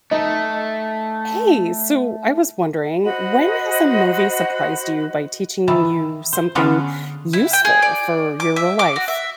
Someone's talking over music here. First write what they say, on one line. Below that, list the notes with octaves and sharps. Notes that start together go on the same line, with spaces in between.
Hey, so, I was wondering, when has a movie surprised you by teaching you something useful for your real life?
A3 D#4
F#4 C5 D#5 B5
D#3 E3 A5
C5
D3 B3 C#4 D4 F4 G#4
E4
G5
G#4
D5
D6
E5
D6
F#4
E5